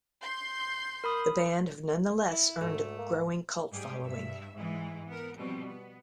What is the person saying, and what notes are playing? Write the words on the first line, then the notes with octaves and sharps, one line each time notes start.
The band have nonetheless earned a growing cult following.
C6 G6
A#4 B5 D#6
E4
D2 G#2 A3
A#3
G#2 G3 G4 G#4
G2 E5
G#2 E3 G#3
B3 A#4
B2 F3 G3 C4
B3